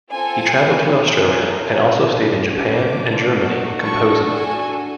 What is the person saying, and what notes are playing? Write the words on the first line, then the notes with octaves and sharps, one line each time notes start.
He traveled to Australia, and also stayed in Japan and Germany composing.
C4 F4 A4 G#5
A#3 C#4 E4 G4
C4 F4 G#4 A#5
C#4 E4 A4
A3 D4 F4 G#4
C#4 F#4 A4 D6
D4 F4 A4
A#3 D#4 F#4 A4
D4 F#4 A4 C#6
D4 F#4 A4 G#5